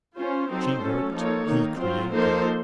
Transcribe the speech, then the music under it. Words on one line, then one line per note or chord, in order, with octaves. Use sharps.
She worked; he created.
C#4 F4 C5
F#3 C4 D#4 A4 C5
F#3 A3 C#4 A4
F3 A#3 D#4 A4 C#5
D#3 A#3 D#4
F#3 C4 F4 C5
F3 A#3 D#4 A4 C5